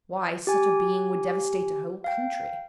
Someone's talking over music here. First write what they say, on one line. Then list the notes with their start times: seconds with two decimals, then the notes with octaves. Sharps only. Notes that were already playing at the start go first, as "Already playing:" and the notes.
Why, such a being would devastate a whole country.
0.47 G4 G#5
2.04 F5 G5